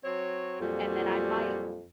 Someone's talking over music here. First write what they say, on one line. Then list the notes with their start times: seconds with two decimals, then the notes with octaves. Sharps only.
and then I might
0.04 F#3 C4 C#5
0.61 F2 A#2 F#3 G3